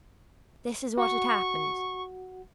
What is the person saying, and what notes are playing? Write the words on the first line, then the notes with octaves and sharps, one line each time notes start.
This is what had happened.
F#4 F#5 C#6